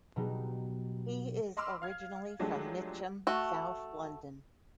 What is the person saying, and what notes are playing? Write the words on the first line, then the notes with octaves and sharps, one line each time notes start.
He is originally from Mitcham, South London.
B2 F#3 G3 D#4
D#5 B5 C6 D6 E6 F6
F5 F6 G#6
F3 F#3 G#3 A3 D4 G4
A3 F#4